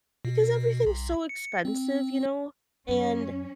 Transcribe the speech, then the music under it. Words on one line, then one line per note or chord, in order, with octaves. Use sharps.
because everything's so expensive, you know? And
B2
B1
C#7
C4
F#2 C#4